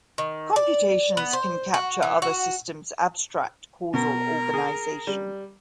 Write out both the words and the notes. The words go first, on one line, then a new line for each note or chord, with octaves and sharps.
Computations can capture other systems' abstract causal organization.
D#3
D5
B3
C5
F#4
E3
F#4
B2 A#4
G#4
G3